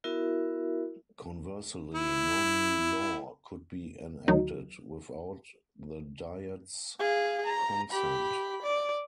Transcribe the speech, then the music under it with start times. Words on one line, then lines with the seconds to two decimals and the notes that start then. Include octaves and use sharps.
Conversely, no new law could be enacted, without the Diet's consent.
0.04 B3 E4 F#4 A#4 E5
1.95 E4
4.28 D2 D#3 F#3 D#4
6.99 G#4 F5
7.47 A#5
7.92 G4 B5
8.63 D5